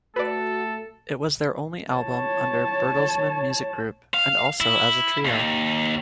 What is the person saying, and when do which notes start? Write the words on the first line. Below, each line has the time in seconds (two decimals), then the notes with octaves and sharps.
It was their only album under Bertelsmann Music Group, and also as a trio.
0.16 A3 F#4 A4 B4 D5
1.94 C#5 A5
4.14 F5
4.60 E4
5.25 D#2